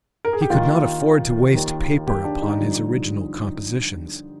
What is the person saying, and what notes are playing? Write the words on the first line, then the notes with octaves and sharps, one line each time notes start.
He could not afford to waste paper upon his original compositions.
A#4
G#4
G4
D#2 D#3 F4
D#2 D#3
G4
D4
D#4
G2 D3 F3